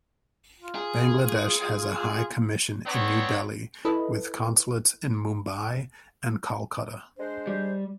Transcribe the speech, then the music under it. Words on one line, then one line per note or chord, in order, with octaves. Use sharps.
Bangladesh has a high commission in New Delhi with consulates in Mumbai and Kolkata.
F4
G#4
B3 C4 D4 C#5
E4 A4 B4 D#5
G#3 D4 C5
G3